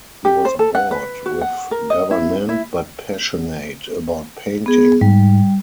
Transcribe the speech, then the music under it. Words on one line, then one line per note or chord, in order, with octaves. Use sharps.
He was bored with government, but passionate about painting.
G4
C5
A4
F#5
B4
F#4
F#5
A#4
D#5
E4
E4
B3 G#4
G#2 G3